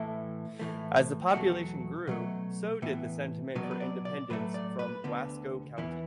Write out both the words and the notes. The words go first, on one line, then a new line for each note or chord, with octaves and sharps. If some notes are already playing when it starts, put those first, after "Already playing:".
As the population grew, so did the sentiment for independence from Wasco County.
Already playing: A2 E3 A3 E4
A2 E3 A3
E2 B2 F#3 A3 F#4
B2 F#3 A3
A2 E3 B3
B2 F#3 B3 B4
D5
B4
D5
D5
A2 F#3 A3 B4
D5
B4
D2 D3 B3
E2 E3 B3